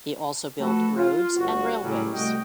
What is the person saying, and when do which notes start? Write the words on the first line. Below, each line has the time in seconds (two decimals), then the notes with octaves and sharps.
He also built roads and railways.
0.59 F3 A3 F#4 A4 B4
0.96 F4
1.37 G1 F#4
1.82 A2 C#3 F#3 G3 C#4
2.13 C2 A3 F#4 D#5 G5